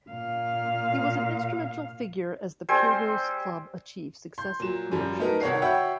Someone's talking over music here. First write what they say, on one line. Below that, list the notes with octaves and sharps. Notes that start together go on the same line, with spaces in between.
He was an instrumental figure as the Pyrgos club achieved successive promotions.
A#2 F5
G3 C4 C5 G#5
C6 G6
A#2 F#3 E7
F#2 F3 G3
F#3 A3 B3 D#4 A#4
C2 D#3 C#5 F#5 C7
F#4 C#5 E5 F#5 G5 B5